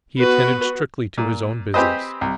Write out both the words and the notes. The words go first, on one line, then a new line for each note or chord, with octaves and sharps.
He attended strictly to his own business.
B3 F#4 B4
A#2
C4 G4 G#4 B4 C5 D#5
C2